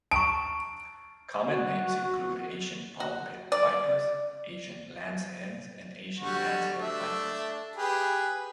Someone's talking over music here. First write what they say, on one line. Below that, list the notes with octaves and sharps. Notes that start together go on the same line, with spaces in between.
Common names include Asian palm pit vipers, Asian lanceheads and Asian lance-headed vipers.
A5 A#5 C#6 D7
F#4
F#4
D5
D3 G3 F#4
A3 D4 E5
G4 G#4 B4